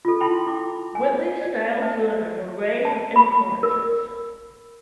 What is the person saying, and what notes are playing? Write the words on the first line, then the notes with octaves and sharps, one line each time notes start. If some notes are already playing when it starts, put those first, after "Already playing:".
Whitley's style drew on an array of influences.
F4 A4
E4 G5 A5 B5 C6
E4 D6
G#5
D5
B4 E5 A5
A5
B5
A#4